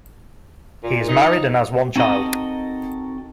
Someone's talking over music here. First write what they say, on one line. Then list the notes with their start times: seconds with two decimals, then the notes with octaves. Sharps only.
He is married and has one child.
0.83 A#2
1.08 D#4
1.96 C4 D#4 F#4 A4 A#4 D#5